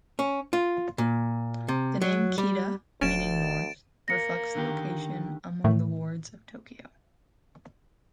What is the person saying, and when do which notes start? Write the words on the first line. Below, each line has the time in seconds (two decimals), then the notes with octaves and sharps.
The name "Kita," meaning "north," reflects the location among the wards of Tokyo.
0.19 C#4
0.53 F4
0.98 A#2
1.68 C3
2.02 F#3
2.38 G3
3.01 E1 D2 C#4 A6 D7 E7
4.08 A#3 A#6 C#7
4.55 D3 D#3 G4
5.64 A2 D#3 A3